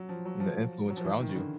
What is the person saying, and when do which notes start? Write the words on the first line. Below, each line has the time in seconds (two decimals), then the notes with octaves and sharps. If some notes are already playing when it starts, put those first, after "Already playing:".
And the influence around you.
Already playing: F#3
0.09 F3
0.25 F#3
0.40 F3
0.90 F#3
0.97 F3
1.05 E3
1.20 D#3
1.29 C#3
1.36 D3